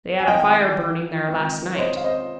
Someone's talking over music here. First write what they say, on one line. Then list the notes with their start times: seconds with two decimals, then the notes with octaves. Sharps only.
"They had a fire burning there last night."
0.19 G#5
0.27 C2 C3 D#3 D#5 G5
1.28 C#2 C3 D#3
1.73 C#5
1.79 C5 D#5
1.96 F5
2.04 C5 D#5